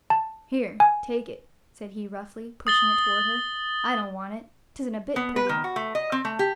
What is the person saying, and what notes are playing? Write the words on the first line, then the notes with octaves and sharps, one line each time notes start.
"Here, take it," said he roughly, pushing it toward her; "I don't want it; 'tisn't a bit pretty."
A5
G#5
D#6 A6 G7
B3
B4
D#3
F#4
A3
D#5
C4
A3
G4